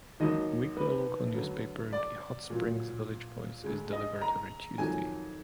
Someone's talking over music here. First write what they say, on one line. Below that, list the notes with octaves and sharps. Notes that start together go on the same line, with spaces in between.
A weekly local newspaper, the "Hot Springs Village Voice", is delivered every Tuesday.
D#2 D#3 F#3 D#5
B4
D2 D3 F#3
D5
A#2 F#3
D2 D3 G#3
D#5
A#5
F2 D#3 F#3 G#5